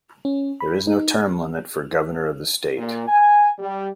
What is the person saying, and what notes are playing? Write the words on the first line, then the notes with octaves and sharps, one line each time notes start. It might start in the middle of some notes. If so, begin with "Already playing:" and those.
There is no term limit for governor of the state.
C#4
B5
D#4
A#2
G#5
G3